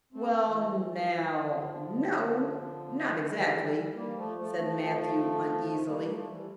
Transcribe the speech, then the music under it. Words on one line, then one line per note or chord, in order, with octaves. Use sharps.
"Well now--no--not exactly," said Matthew uneasily.
A3 C4
E3
D3 F3
E3 G3
G3 A#3
F3 A3
F3 A3
F3 A3
G3 A#3
F3 A3
E3 G3